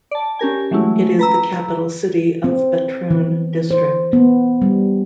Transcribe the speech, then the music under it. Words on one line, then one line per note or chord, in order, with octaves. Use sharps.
It is the capital city of Batroun District.
D5 A5
C#4 G4 A#4 G#5
E3 F#3 G#3 A3 C#4 E4
B4 A#5 E6
C4
E3
C5
B3
G3